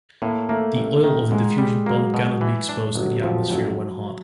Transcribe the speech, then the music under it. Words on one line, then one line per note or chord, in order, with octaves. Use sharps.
The oil of a diffusion pump cannot be exposed to the atmosphere when hot.
A2 A#3
A3 A#3
A1
D#3
G#2 G#3
G3
F#3 A#3
B2
E3
D4
G1 F#3
F2 F3
A1 F#3